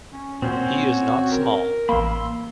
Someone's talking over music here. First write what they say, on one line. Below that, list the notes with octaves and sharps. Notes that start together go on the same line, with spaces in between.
He is not small.
C#4
A#2 C4 C#4 F#4 C5
A#4
A1 A#3 B5 C6 E6